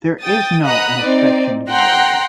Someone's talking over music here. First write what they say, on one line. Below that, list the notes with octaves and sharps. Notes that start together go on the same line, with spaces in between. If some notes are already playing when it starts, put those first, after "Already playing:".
There is no inspection gallery.
G5 D#6 A6
D#5 F#5 A#5 B5 D#6 F#6
C4 D#4 D5
F#5 G5 A#5 C6 F#6